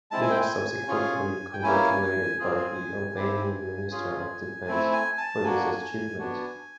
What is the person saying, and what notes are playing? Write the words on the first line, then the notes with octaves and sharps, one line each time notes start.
He was subsequently congratulated by the Albanian Minister of Defence for this achievement.
G#3 C4 E4 A5
G#5
G5
G#5
C#4 F4 G#4
G5
A#3 C#4 E4 G#5
C4 F4 G#4
C4 E4 G4
C#4 F4 G#4
A3 C4 E4
G#5
A5
A#3 D4 F#4 G#5
B3 D4 F#4